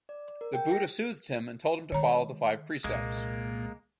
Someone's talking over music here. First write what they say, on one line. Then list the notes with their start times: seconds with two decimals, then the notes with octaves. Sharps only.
The buddha soothed him and told him to follow the Five precepts.
0.09 D5
0.41 A#4
0.54 G5
0.72 A#6
1.92 D#3 G#3 C#5 A#5
2.84 C2 A#2 G#3 A#3